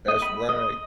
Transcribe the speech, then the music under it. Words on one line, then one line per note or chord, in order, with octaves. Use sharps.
that's right.
D#5
B5
D#5